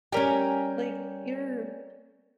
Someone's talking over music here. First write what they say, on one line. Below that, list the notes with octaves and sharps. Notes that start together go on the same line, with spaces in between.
like, you're
G3 C#4 G4 A#4 C#5 D5 G#5